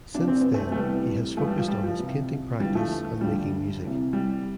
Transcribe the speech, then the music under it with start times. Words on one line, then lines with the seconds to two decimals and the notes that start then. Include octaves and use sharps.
Since then he has focussed on his painting practice and making music.
0.14 C2 C3 F3 D4
0.28 C4
0.41 B3
0.54 A3 C4
0.72 A3
0.76 C2 C3 E3 G3 B3
1.37 G2 F3 A3
1.47 G3
1.58 F3
1.68 G3
1.83 F3
1.99 C2 C3 F3
2.60 E2 D3 F3 G3
2.75 F3 A3
3.21 D2 D3 F3 G3
3.82 C2 C3 E3
4.13 G3